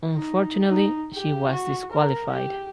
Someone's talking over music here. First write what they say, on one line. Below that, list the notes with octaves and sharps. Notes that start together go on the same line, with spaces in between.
Unfortunately she was disqualified.
D#4
D#4
G4
F#4
A#4
G4